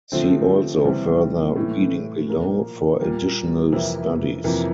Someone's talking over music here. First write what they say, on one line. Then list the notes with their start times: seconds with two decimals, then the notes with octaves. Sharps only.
See also further reading below for additional studies.
0.12 D3 F3 A3 C4
0.85 C3 E3 G3 C4
1.56 A2 E3 A3
2.28 A#2 F3 A#3
3.00 A#2 G3 A#3
3.72 F2 C3 E3 A#3 E4
4.44 F2 C3 E3 A#3 E4